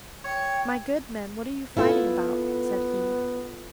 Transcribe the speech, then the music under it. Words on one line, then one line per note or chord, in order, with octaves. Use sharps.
'My good men, what are you fighting about?' said he.
C#5 G5
B3 E4 F4 A4